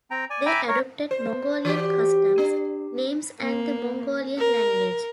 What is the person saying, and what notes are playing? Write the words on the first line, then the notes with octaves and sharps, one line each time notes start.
They adopted Mongolian customs, names and the Mongolian language.
C4 G5 A#5
D5 G#5
E5 G5 G#5 A#5 B5 D6
A#4 C#5
C5
E3 F#4 G4
D4
A#3
A#4